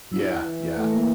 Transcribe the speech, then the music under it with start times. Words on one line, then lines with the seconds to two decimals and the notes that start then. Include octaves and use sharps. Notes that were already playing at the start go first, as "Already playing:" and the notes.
Yeah, yeah.
0.13 E4
0.44 E3
0.76 A3 A4
0.92 A#3 A#4